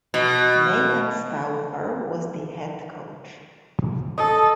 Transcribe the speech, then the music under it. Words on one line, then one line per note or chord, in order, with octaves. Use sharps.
Nathan Stauffer was the head coach.
B2
A4 D#5